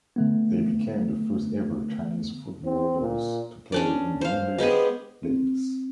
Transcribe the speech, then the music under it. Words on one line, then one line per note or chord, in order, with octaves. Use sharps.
They became the first ever Chinese footballers to play in the English leagues.
D3 A3 B3
C4
A#2
C#4 D4 D5
C5 F5
G#3 B3 G4 G#4
C4